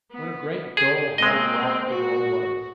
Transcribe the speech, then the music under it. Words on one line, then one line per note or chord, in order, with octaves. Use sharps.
What a great dull hard rock the world was!
B3
G4 G#4
G#3 A#3 C4 D#5
F#4